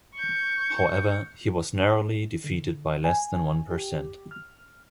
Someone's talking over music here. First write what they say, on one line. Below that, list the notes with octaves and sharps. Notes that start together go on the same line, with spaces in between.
However, he was narrowly defeated by less than one percent.
C#6 G6
D3
G#5
G4
F6